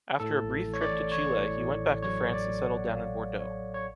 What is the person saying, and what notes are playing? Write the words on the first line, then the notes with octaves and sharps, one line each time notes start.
After a brief trip to Chile he went back to France and settled down in Bordeaux.
A2 A4
A1
A1
C#5
D5
A1
A1 C#5
A2
A1
A1
F#3 C#5
A1
D5
F#3
F#5
A2
A1 F5
A2
A1 C#5
A1
C#5